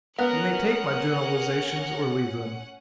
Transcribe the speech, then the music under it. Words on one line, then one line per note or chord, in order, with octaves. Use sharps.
You may take my generalizations or leave them.
B3 C#4 A#4 F#5 F#6